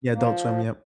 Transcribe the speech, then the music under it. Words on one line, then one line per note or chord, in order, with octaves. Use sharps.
Yeah, Adult Swim, yep.
F3 A#3